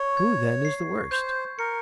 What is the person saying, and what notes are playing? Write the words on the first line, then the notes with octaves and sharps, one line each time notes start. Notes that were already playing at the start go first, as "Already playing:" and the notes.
'Who, then, is the worst?
Already playing: C#5 C#6
G#6
C7
C5 G6
A#4 C#7